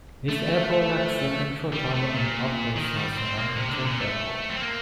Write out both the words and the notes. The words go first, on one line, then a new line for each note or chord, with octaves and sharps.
This airport lacks a control tower and operates as an uncontrolled airport.
A3
G3
A3
A#2
D#3
G3
C4
A#3
C3
D3
A#2
A3
C4
A#3